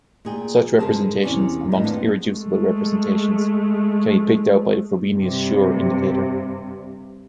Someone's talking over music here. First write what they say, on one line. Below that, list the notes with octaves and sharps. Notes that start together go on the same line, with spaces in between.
Such representations, amongst irreducible representations, can be picked out by the Frobenius-Schur indicator.
A#2 G#4 G5
G#2 D3 G#4 A#4 C5 A5
E2 C3 C#4 D5
A2 D#3
F2 A#3 B3 D4
G#3 A3
G2 C3